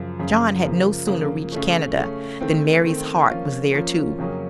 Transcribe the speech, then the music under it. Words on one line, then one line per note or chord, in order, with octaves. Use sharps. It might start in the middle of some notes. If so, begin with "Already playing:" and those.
John had no sooner reached Canada than Mary's heart was there too.
Already playing: F#2 C#3 F3
F#2 C#3 F3
C#3 F3 A#3
C#3 F3 A#3
C#3 A3 C#4
C#3 A3 C#4
D#3 A3 C4
D#3 A3 C4
F3 A#3 C#4 F4
F3 A#3 C#4 F4
F2 C#3 F#3 A#3 C#4